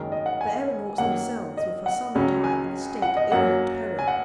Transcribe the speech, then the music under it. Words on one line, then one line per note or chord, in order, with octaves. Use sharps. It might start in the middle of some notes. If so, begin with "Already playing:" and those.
The aeronauts themselves were for some time in a state of imminent peril.
Already playing: F#1 F#2 D#3 G#3 A#4
D#5
F#5
G#5
F#2 D#3 A#3 F#5
D#5
F#5
C#2 C#3 F#3 C#4
G#5
F#5
D#5
F#2 F#3 A#3 F#5
G#5
F#5